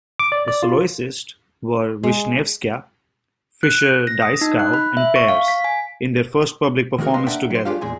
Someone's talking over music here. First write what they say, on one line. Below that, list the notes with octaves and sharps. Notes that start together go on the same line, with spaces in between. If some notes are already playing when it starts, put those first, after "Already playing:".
The soloists were Vishnevskaya, Fischer-Dieskau and Pears, in their first public performance together.
D6
D5
D5
F4
G#3
F#6
A#6
D#6
D#4
F#6
B5
E5
C#6
F5
B6
G#5
D#3 G#3 A#3 F#4 A#4
B4 D#5 F5 C6
A#3 D4 A#4 E5 F#5 G5
F#3 C5
G#3 D4 F4 G4 C#5 F5
E2 A#2 G#3 G#4